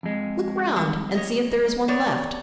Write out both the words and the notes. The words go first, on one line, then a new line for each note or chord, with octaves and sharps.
Look round and see if there is one left.
F2 G#3
G3
C#5 D#5
B3 C#5 D5